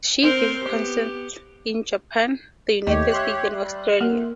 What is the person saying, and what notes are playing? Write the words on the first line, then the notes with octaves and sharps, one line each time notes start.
She gave concerts in Japan, the United States, and Australia.
C4 A#4 C5
B3 G4
D#2 A3 G4 C#5 D#5
E5 C6 F#6
G3
F2 A#3 A#4